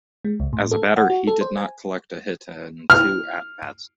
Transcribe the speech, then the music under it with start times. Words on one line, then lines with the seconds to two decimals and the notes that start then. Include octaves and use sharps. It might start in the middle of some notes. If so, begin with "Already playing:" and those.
As a batter, he did not collect a hit in two at-bats.
0.25 G#3
0.40 C#2
0.53 A2
0.71 A4
0.96 F#5
1.10 F#4
1.27 A4
1.41 C5
1.57 G#5
2.90 F6